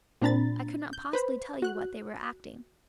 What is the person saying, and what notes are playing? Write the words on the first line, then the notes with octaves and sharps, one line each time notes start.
I could not possibly tell you what they were acting.
A#2 C4 D4 A#5 B5 A6
G6
B4 C5 B5
F#4 F#6